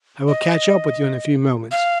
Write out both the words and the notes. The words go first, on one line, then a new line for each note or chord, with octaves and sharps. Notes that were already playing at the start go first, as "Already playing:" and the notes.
I will catch up with you in a few moments.
D#5
F5